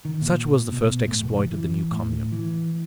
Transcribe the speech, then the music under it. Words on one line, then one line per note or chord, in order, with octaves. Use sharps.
Such was the first exploit of the new Commune.
D#3
A#2
B2
A2
E1
E3
A2
E3